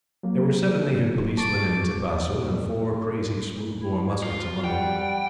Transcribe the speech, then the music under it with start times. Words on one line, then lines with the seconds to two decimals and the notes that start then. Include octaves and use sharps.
There were seven native policemen in Tibasu, and four crazy smooth-bore muskets among them.
0.23 F#3 A#3
1.37 A5 C#6 D6 A6
3.78 E4
4.23 F4 F#4
4.64 G3 F#5 G5